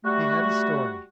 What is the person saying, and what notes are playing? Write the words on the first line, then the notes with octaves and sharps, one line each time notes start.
He had his story.
G3 A3 F#4